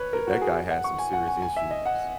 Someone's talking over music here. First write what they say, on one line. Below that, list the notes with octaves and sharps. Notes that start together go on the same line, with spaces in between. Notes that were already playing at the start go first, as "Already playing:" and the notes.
Yeah, that guy had some serious issues.
Already playing: B4 C#5
A#4
F#4
G#4
F#5
C#6
G#5
F#5
G#5
G#5
E5
D#5
F#5